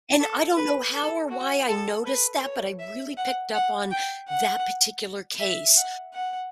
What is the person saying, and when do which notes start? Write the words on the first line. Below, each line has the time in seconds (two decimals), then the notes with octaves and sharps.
and I don't know how or why I noticed that, but I really picked up on that particular case,
0.20 A4
0.57 B4
0.94 A4
1.31 F#4
1.68 A4
2.06 B4
2.43 C#5
2.79 E5
3.17 F#5
3.54 F#5
3.91 G5
4.28 F#5
5.40 E5
5.77 F#5
6.13 F#5